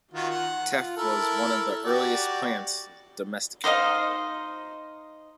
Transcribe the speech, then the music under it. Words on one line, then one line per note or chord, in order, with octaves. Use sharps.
Teff was one of the earliest plants domesticated.
D#3 F4 F#4
F#5
F4
E4 A4 A#4
F#4 G4 D5
D#4 C5 D#5 F5